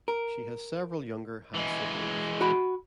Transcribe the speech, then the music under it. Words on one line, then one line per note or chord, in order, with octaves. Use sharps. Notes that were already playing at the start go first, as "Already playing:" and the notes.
She has several younger half-siblings.
A#4
E3 G#3
F#4 B5